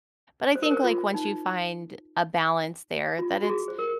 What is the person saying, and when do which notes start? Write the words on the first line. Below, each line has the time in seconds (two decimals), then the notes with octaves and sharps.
But I think, like, once you find a balance there, that it's
0.55 C5
0.63 A#4
0.71 C5
0.84 F4
1.14 D#4
3.19 F4
3.43 F#4
3.49 G#4
3.68 C5
3.79 A#4